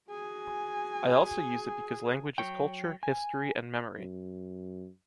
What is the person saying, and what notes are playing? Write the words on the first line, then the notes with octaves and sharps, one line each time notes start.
I also use it because language is culture, history and memory.
F#4 G#4 G#5
F#3 C#5 G5
G#5
F#2